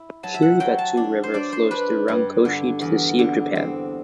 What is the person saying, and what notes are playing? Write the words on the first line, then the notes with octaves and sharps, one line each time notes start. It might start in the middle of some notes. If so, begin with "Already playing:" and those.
Shiribetsu River flows through Rankoshi to the Sea of Japan.
Already playing: E4
F#3 A5
E5
F#5
F#3 G5
A5
D4
C5
D4 D5
C5
D4 B4
G2
D3
E2
D3
C4